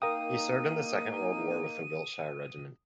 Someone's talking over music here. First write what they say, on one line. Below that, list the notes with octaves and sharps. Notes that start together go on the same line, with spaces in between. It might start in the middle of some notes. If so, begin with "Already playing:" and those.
He served in the Second World War with the Wiltshire Regiment.
A#3 D#4 A#4 F5 G5 D#6 D#7